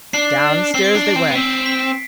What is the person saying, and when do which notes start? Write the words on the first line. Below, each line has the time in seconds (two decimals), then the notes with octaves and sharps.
Downstairs they went.
0.13 D4 C7
0.74 C4 C7
0.84 D7
0.95 D4 C7
1.06 D7
1.16 C4 C7
1.30 B3
1.35 C4 B6
1.66 B6